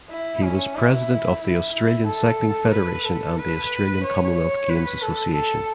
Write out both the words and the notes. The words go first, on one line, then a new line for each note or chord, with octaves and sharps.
He was President of the Australian Cycling Federation and the Australian Commonwealth Games Association.
E4
C#4
E4
E4
E4
A4
B4
A4
B4
C#5
C#5
B4
A4
A4